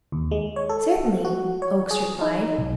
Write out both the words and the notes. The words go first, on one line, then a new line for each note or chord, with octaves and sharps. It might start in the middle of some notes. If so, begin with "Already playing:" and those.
"Certainly," Oakes replied.
D#2
G#3
C#5
A4
F#4
C#5
G#4
D#4
B1